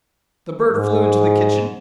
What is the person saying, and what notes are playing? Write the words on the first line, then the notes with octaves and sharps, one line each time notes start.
The bird flew into the kitchen.
G#2